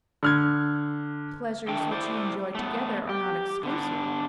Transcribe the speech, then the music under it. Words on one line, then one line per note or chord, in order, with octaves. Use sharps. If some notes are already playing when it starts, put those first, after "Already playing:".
The pleasures which you enjoy together are not exclusive.
D3 F6 G#6
D#3 D4 A4 G5
E4 C5 D5
A3 B3
G4
D3 B3 D4